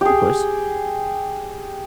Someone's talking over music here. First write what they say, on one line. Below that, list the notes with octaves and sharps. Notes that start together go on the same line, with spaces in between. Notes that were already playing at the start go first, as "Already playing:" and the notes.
Of course.
G4 G#4